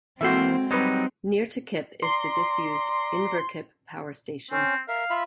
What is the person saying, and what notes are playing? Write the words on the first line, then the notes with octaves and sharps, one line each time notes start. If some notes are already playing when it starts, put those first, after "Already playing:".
Near to Kip is the disused Inverkip Power Station.
E3 G#3 A#3 C4 F#4 A4 C5 E5
F#3 G3 C4 D#4 B4 D#5
D5 A#5 C6
C4 C#4
A#4 E5 F5
F4 E5 B5